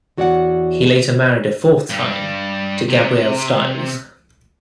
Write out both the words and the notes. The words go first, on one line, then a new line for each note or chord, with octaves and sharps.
He later married a fourth time, to Gabrielle Styles.
E2 F#4 C#5 D5 E5 F#5
G2 G3
C3